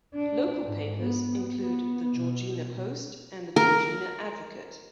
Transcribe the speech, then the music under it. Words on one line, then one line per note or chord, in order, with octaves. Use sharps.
Local papers include the "Georgina Post", and the "Georgina Advocate".
D4
G#2
B3
B3
B2
A#4